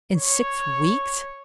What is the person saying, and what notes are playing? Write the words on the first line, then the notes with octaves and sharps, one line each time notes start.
"In six weeks?"
C#5